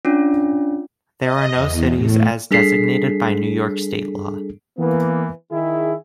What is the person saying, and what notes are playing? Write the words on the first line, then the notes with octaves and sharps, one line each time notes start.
There are no cities as designated by New York State Law.
C#4 D4 F4
D#5
E2
A2
G3 D4 G#4 A4 B6 C7
E3 A#3 B3
D#3 E4 G#4